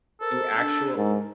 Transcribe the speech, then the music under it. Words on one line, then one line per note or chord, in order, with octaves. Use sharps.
the actual
A4 A#4 C5
D4
G#2 A#4